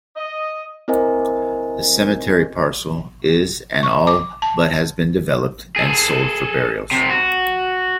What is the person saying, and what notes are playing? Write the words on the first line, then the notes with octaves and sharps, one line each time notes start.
The cemetery parcel is and all but has been developed and sold for burials.
D#5
C4 E4 A#4 C5 D#5 G#5
C#6
D6
A5
G#4 A4
F2 C3
F#4